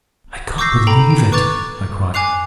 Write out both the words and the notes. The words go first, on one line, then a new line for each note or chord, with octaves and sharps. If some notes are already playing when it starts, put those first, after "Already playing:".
"I can't believe it," I cried.
C#6 D6 E6 G6 A#6 C7
A4 G5 A#5 B5
G5
B4 C#6 D6 F#6 A6 F7
G#5 D6 F#6 C7 F7